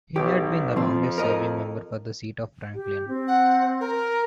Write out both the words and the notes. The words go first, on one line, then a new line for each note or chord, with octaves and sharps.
He had been the longest serving member for the seat of Franklin.
B1 G4
F2 F3 C4
A#4 D#5
G4
C4
F#5
A#4